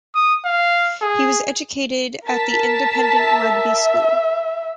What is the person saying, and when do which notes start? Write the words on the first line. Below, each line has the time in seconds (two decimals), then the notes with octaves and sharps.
He was educated at the independent Rugby School.
0.15 D#6
0.45 F5
1.02 G#4
2.24 A#4 A5 B6
3.23 E5